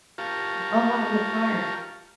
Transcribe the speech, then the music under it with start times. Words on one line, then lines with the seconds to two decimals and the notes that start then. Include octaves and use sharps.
Oh wow, what part?
0.18 F4 G4 A#4 F5 A5 C#6